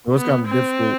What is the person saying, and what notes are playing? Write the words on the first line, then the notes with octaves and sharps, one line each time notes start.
so it's, kinda, difficult,
B3
C4